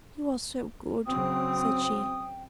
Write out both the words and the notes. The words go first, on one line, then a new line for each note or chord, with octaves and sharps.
"You are so good," said she.
C#3 F#3 C4 G5 D#6